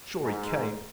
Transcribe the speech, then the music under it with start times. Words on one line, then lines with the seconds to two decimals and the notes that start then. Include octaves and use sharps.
Shorey came.
0.21 G#2